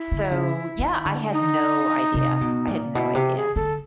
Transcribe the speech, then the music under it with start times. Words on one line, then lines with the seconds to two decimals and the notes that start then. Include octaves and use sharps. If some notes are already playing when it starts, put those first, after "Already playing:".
so, yeah, I had no idea. I had no idea.
Already playing: E4
0.12 D3
0.31 C#3
0.79 D#3
1.05 D3
1.33 D#4
2.14 C3
2.41 B2
2.67 A#2
2.95 B2 E4
3.15 C3 G4
3.36 G#4
3.55 D3 A4